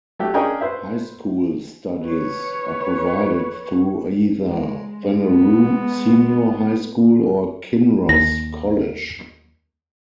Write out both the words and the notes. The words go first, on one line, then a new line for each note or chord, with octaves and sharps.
High School studies are provided through either Wanneroo Senior High School or Kinross College.
F#3 A3 G4
C#4 D4 G#4 A#4 D#5 G5
B4 C5 E5
B4 C#5
G#3
B3
D#2 A#6